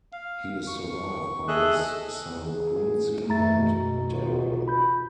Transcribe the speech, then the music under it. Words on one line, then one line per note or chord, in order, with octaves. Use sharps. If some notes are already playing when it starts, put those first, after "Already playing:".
He is survived by his son Quincy and Darrell.
F5
C#6
G#4 A4 D#5 E5 F#6
G#4
F#2 A3 A#5 A6
B2
F4 F#4
B5 G6